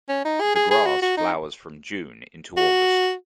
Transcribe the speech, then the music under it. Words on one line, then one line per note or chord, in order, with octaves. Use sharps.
The grass flowers from June into August.
C#4
D#4
G#4
G#4
G#4
F#4
F#4
D#4
F#4